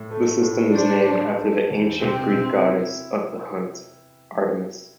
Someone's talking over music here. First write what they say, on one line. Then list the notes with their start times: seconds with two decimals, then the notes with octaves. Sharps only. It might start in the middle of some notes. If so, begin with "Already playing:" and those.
The system is named after the ancient Greek goddess of the hunt, Artemis.
Already playing: A2
0.11 A3
0.43 A2
0.74 D4 C5
1.06 C5
1.38 A4
1.71 E2
2.02 C3 C4
2.34 C3
2.66 E4